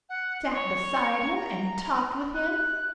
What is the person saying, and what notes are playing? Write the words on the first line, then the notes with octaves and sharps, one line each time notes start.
Sat beside him and talked with him!
F#5
C#5
A#5
F#6